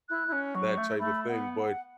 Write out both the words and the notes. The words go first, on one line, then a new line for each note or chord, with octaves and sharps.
that type of thing, but,
E4 F#6
E4
C#4
F#3 C#6
A3
A3 B5
B3 F#5
F#5